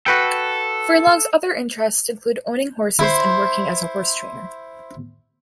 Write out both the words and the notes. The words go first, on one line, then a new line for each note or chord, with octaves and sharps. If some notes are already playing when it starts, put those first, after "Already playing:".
Furlong's other interests include owning horses and working as a horse trainer.
F#4 A4 B4 G5
E4 C5